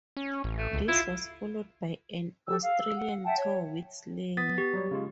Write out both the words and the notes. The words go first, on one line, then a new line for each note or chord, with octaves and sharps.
This was followed by an Australian tour with Slayer.
C#4
A1
A3
C#2
E4 F4
G4 A4 E6
F5
E6
F#5
E5 F#5 G5 A5
C#5
B3 D#6 A6 B6
G4
F#3 G3 C#5
C#3 G#3 F4